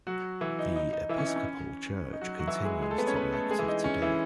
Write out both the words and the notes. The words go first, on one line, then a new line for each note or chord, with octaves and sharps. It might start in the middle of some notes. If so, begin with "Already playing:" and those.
The Episcopal church continues to be active today.
F#3 F#4
E3 E4
D#4
D#4
D#4
E3 E4
C#4
D#4
C#4
D#4
F#3 F#4
F#3 F#4
E3 E4
G#3 G#4
G#3 G#4
A3 A4
B3 B4
C#4 C#5
B3 B4
A3 A4
G#3 G#4
E3 E4
D#4
C#4
E3 E4